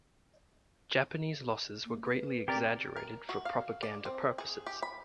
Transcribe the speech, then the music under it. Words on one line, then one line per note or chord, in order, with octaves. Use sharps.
Japanese losses were greatly exaggerated for propaganda purposes.
A#3
B4
C4 G4 A#4 D5
A#4
F#4
F5
D5
C4
G#4
G4
B5